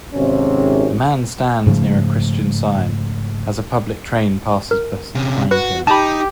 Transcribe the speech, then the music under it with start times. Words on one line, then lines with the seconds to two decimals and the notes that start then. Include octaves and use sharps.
A man stands near a Christian sign, as a public train passes behind him.
0.13 G#1 C3 C#4
1.67 G#2 C#3 F3 A3
4.71 A#4
5.15 C3 C#4
5.51 F#4 B4
5.87 D#4 G4 A5 B5